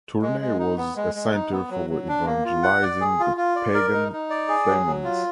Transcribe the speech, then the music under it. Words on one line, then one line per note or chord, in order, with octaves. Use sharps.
Tournai was a center for evangelizing the pagan Flemings.
G#3
G#3
D#4
B3
G#3
G#3
D#4
B3
F#3
F#3
D4
A#3
F4
F#5
D5
G#4
F4
F4
D5
A#4
D#4
D#4
D5
G#4
F#3
F#3
F4